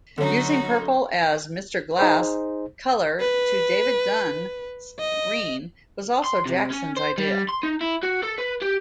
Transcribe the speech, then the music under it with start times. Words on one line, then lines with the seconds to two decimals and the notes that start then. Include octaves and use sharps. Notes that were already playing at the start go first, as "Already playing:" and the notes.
Using purple as Mr. Glass' color to David Dunn's green was also Jackson's idea.
0.18 D3 F#3 C#4 D#4 F#4
1.99 D#4 G#4 C5
3.21 B4
4.99 D#5
6.24 C6
6.46 C3
6.71 C#4
6.97 C5
7.18 G3
7.49 C6
7.63 D#4
7.81 E4
8.03 F#4
8.23 A4
8.39 B4
8.62 G4